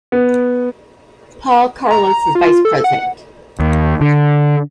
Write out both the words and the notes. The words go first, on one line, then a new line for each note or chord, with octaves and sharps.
Paul Carlos is vice president.
B3
A#5
F4
A4
F#5
D#2
D3